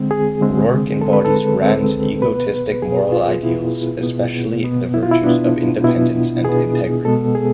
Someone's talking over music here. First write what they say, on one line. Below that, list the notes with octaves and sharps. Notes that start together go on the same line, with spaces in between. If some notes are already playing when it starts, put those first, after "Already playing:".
Roark embodies Rand's egoistic moral ideals, especially the virtues of independence and integrity.
Already playing: D3 G#3 C4
G#4
D3 G#3 C4
D3 G#3 C4 A4
B4
A4
D3 G#3 C4
B2 B3 B4
B2 B3 G#4
F4
B2 B3 E4
B2 B3
B2 B3
E4
F4
E4
B2 B3 D4
B2 B3 E4
B2 B3 G#4
B2 G#3 B3 A4
G#4